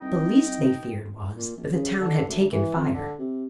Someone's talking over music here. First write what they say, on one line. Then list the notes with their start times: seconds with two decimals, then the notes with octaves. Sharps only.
The least they feared was, that the town had taken fire.
0.02 C2 D#4 D#5 G5
1.37 A#2
1.57 A#1
1.73 C#3
2.00 D3
2.29 D2
2.52 E3
2.76 F2
2.94 D3
3.19 C3